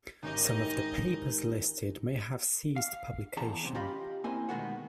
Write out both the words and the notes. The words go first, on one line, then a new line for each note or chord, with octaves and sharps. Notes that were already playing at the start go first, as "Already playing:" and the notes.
Some of the papers listed may have ceased publication.
G#1 C#4 D#4 G4 D#5
F5
E2 G#4 A5 A#5
F#2 C3
C#4 F4 G4 D#5 F5 B5
A#3 C4 E4 D#5 G#5
B2 D#3 G#3 A3 B3 F#4